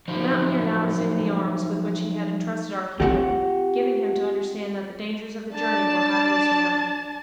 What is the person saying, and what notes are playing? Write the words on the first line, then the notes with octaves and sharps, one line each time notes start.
The mountaineer now resumed the arms with which he had entrusted our hero, giving him to understand that the dangers of the journey were happily surmounted.
F3 F#3 D#4 C5
C4 F4 G4 F#5
D4 A5